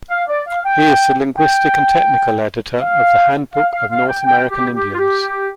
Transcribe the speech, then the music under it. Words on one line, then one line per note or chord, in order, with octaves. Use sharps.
He is the linguistic and technical editor of the "Handbook of North American Indians".
F5
D5
F5
G5
G5
F5
F5
F5
F5
G5
G5
G4
G4
F4
G4